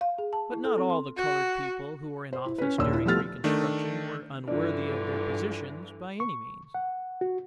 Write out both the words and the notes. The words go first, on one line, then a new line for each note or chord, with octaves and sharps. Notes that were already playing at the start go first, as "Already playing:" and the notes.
But not all the coloured people who were in office during Reconstruction were unworthy of their positions, by any means.
F5
G#4
A5
E4
A4
C4
C6
F#4
C5
E4
C#4 B4
D#2 A#2 D4 C#5 E6
E4
F3 G3 A3 B3 F6 A6
D#3 A3 D4
G2 D3 E3 F3 D4
C#6
F#5
F#4